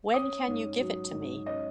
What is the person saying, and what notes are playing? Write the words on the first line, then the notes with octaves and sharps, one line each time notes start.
When can you give it to me?
C#4 D#6
G#2
F#3
G#2
C#4 D#5